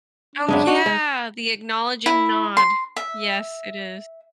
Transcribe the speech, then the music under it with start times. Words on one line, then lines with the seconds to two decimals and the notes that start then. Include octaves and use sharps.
Oh, yeah, the acknowledging nod. Yes, it is.
0.35 D4
0.49 F#2 C#3 G#3
0.67 F#4
0.86 G#3
2.06 E4
2.57 C6
2.96 E5